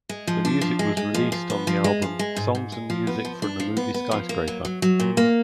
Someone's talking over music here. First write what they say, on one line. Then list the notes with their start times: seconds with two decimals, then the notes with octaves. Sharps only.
The music was released on the album "Songs and Music from the Movie Skyscraper".
0.09 G#3
0.27 F3
0.45 D4
0.61 F3
0.79 G#3
0.97 G#3
1.14 F3
1.32 F3
1.50 B3
1.67 F3
1.84 G#3
2.02 F3
2.19 G#3
2.36 G#2
2.55 G#2
2.72 G#3
2.90 F3
3.07 B3
3.25 F3
3.42 D4
3.60 F3
3.77 B3
3.94 B3
4.11 F3
4.29 A#3
4.48 F#3
4.65 F#3
4.82 F#3
5.00 A#2
5.17 A#3